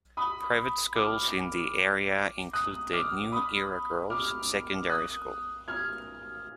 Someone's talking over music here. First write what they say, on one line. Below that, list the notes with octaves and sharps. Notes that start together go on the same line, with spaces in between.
Private schools in the area include the New Era Girls Secondary School.
B5 D#6
D6 F6
D#6 F#6
D6 F6
B5 D#6
D6 F6
D#6 F#6
F6 G#6